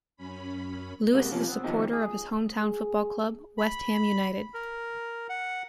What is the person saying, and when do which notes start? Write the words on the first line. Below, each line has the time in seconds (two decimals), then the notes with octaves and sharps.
Lewis is a supporter of his home town football club, West Ham United.
0.17 F#2 C#4 B5
1.14 C3 G#3 A#3 B3
1.32 C3 F3 A#3 C#4 F4
1.48 B3 C4
1.64 D#2 B2 F3 C4 D#4 G4
1.93 G#4
2.58 G#4
3.58 B5
4.54 A#4
5.29 F#5